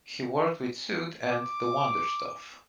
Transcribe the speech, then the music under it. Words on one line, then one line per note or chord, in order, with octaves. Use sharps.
He worked with Suede and The Wonder Stuff.
D6